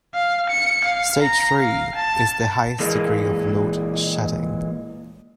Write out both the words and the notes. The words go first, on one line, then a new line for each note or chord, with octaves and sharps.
Stage three is the highest degree of load shedding.
F5
C#7
F5
A#5
F5
A5
A#2 E3 G#3 A#3